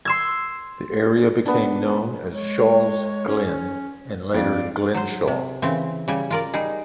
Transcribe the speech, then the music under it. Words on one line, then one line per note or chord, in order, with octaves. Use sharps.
The area became known as "Shaw's Glen", and later Glenshaw.
C6 E6 G#6
B3 D4
G#3 C#5
C#4
F2 D5
F#3 C5
C3
C#3 E3 C4
C#3 G3 G#5
F4 A#4 D5
G3 D#4 G#4